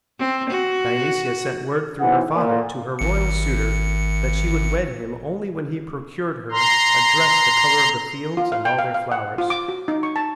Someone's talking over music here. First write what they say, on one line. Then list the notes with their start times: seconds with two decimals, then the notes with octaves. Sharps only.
Dionysia sent word through her father to her royal suitor that she would wed him only when he procured her a dress the colour of the fields and all their flowers.
0.19 C4
0.49 F#4
2.00 B1 E3 C5 F#5
2.34 A#2
2.99 G#1 C#7
6.51 A#5 C6
8.37 F4
8.52 F5
8.65 G5
8.79 F5
8.94 F5
9.12 F#5
9.38 F4
9.50 D6
9.68 F#4
9.88 D#4
10.03 C#6
10.16 A5